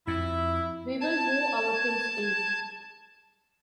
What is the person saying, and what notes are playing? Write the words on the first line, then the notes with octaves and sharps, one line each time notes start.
We will move our things in.
F2 E4
A5 G#6